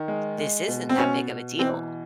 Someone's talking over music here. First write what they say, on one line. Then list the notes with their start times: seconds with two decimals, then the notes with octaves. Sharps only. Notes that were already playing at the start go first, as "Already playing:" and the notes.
This isn't that big of a deal,"
Already playing: D#3
0.08 G#3
0.38 G#3
0.68 B2
0.89 C4
0.98 B2 C#4
1.29 B2
1.59 E3 C4